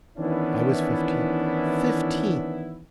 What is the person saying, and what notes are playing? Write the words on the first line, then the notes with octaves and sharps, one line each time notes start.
I was fifteen--fifteen!
D#3 E3 B3 C#4 D4 E4